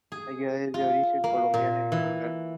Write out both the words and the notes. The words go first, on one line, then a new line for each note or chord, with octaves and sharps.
It was adapted into films on two occasions.
G#4
F4
A#3
A#2
E3